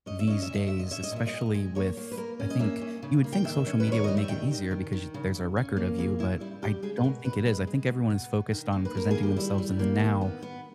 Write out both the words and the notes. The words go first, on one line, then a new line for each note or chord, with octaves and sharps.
these days, especially with, I think you would think social media would make it easier because you there's a record of you, but I don't think it is. I think everyone is focused on presenting themselves in the now,
C#4 D#5
E5
C#4 D#5
E5
A#2
D#5
A#2 E5
D#5
C#4 E5
D#5
A#2 E5
D#5
A#2
G#3
A#3 C#5
A#3
B4
A#3 A#4
C#4
D#5
A#3 E5
C#4
C#3
A#3
G5
D#3 E5
C#4
B4
D#3 C#5
G3 D#5
E5
D#3 G5
D#3
D#3
D#3
C#3
C#3
C#4
A#3
C#3 G#4
C#3 E4
G3 E4
C#3 G4
G#3 G#4
B4
B2 A#4
B2 B4
G#3 B4
G#3
B2
B3
B2
D#3
A#3
B4
A#3 A#4
D#3 G#4
G4
G3 E4
G3
A#3
D#3
B3
B3